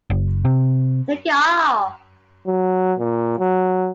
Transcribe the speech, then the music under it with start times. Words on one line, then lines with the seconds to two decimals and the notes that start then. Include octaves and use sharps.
Take it off!
0.10 F#1
0.45 C3
2.47 F#3
2.99 A#2
3.39 F#3